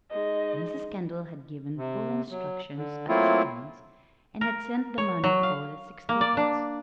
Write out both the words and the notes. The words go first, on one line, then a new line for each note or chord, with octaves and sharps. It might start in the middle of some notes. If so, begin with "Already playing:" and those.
Mrs. Kendall had given full instructions as to trains, and had sent the money for the six tickets.
G#3 D#4 D#5
C3
F#3
D3
F#3 A3 A#3 C4 E4 F4
A#4
C#5
F#3
F5
A#3
D5
D4